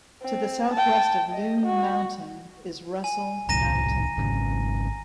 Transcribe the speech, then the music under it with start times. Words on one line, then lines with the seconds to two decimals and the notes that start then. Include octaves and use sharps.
To the southwest of Loon Mountain is Russell Mountain.
0.22 C4
0.73 G5 A5
1.32 D#5
1.65 F#4
3.04 G#5
3.49 D1 C2 A#5 A#6 D#7
4.18 G#1 C#3